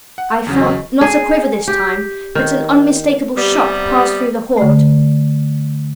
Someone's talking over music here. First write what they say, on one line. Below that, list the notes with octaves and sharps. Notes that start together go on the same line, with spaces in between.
I felt, not a quiver this time, but an unmistakable shock pass through the Horde.
F#5
E2 C#3 F#3
F#4 D#5 C#6
G#4
G4
D#3
C3 G3 B3
D3 A3